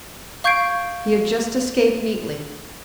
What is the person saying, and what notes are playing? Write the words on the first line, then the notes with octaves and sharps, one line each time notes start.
He had just escaped neatly.
F5 C#6 G6 G#6 C7 D7